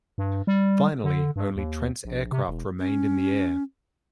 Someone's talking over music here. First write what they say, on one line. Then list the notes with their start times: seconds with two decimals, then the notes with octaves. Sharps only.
Finally only Trent's aircraft remained in the air.
0.18 G2
0.47 G3
1.04 D3
1.36 G2
1.56 D#2
2.05 A#1
2.32 C3
2.49 E1
2.79 C#4